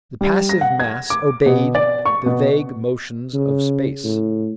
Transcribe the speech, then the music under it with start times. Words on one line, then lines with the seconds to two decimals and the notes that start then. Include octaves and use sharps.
The passive mass obeyed the vague motions of space.
0.21 G3
0.49 A#6
0.61 F#5
0.80 G#6
1.10 D6
1.46 B2
1.75 D5
2.06 C#6
2.26 B2
3.34 C#3
4.04 A2